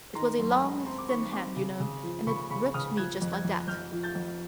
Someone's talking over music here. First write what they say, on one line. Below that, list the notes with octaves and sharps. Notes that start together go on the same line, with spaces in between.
"It was a long thin hand, you know, and it gripped me just like that."
D#3 A#5 C6
F#2 C6
A5 B5
G#3
C4 A#5 C6
D6
D#3 B5 C#6
C4 C6 D6
C#3
C#3
F3
C#3 B5 C#6
C#3 B5 C#6
C#3 D#6 F6
F3 F#6 G#6
F2
F#6 G#6
F2
F2 F6 G6
F3
G6 A6
F2